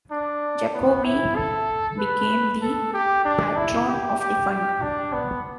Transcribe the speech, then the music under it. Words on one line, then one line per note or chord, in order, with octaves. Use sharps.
Jacobi became the patron of the Fund.
D4
B3
E4
A4
B4
A4
G4
D4
E4
G4
G4
G4
D4
B3